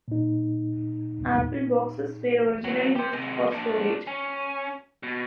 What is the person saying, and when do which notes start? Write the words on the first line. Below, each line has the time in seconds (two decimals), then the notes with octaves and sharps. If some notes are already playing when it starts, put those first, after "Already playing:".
Apple boxes were originally used for storage.
0.08 A#2 D#4
2.64 E3 F#3
2.96 G4 C5
3.13 C3 G#3
3.52 A#2 D4
4.07 C#4
5.03 B2